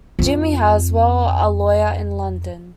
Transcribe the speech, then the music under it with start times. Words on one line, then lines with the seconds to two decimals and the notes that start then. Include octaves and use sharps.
'Jimmie Haswell', a lawyer in London.
0.19 F2 C4